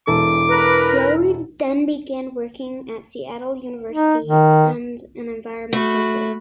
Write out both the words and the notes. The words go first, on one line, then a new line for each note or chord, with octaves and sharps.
Lowry then began working at Seattle University and an environmental group.
E1 E3 A4 D6
A#4 B4
D#4
D#3
A3 F#4 B5